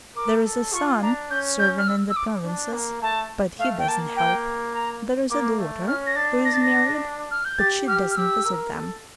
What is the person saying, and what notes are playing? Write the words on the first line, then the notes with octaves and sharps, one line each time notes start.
There is a son serving in the provinces, but he doesn't help; there is a daughter, who is married, but she doesn't visit them.
A#4 D6
A4
F4 C#6
D4 A#5
C#4 G6
G6
F6
E6
E6
D6
D4
A#3
A3 A5
A3 F5
G5
A#3 A5
G5
A#5
A#3 D6
A3
C#4 F6
A#6
D4 A6
A#6
A6
A#6
F6
G6
G4 A6
G4 F6
F6
G4 E6
A#4
A4